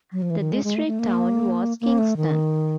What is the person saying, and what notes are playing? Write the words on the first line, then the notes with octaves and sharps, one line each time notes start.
The district town was Kingston.
F#3
F3
E3
D#3
G#3
G#3
A3
A3
A#3
A#3
A3
D#3